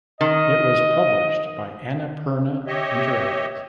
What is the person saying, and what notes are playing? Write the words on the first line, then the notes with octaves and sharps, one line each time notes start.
It was published by Annapurna Interactive.
D#3 D#5
G4 C#5 D#5 E5